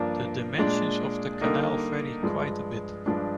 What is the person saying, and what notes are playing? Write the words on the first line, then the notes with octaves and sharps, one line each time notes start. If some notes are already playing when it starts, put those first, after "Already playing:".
The dimensions of the canal vary quite a bit.
Already playing: G2 F3 A#3 D4
A#2 G#3 D4
D3 G3 A#3 D#4
G2 F3 G#3
G2 F3 G#3 D4